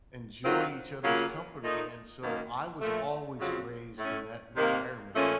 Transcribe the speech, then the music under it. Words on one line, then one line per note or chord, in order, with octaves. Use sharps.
enjoy each other's company, and, so, I was always raised in that environment
D#3 F#3 C4 F4
C#3 F#3 A#3 F4
A#2 A3 D#4
F#2 D#3 A#3
A#2 F3 A3
F2 C#3 F#3 C4 F4
A2 A3 C#4
C3 D#3 A#3
A#2 F3 A3 C#4